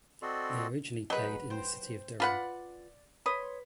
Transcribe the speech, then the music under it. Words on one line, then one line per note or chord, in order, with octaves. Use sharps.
They originally played in the city of Durham.
C4 F#4 A4 D5 D#5 C6
F#3 D#4 G#4 B4
C5 G5
F4 B4 D5 F#5
B4 C#5 C6 D#6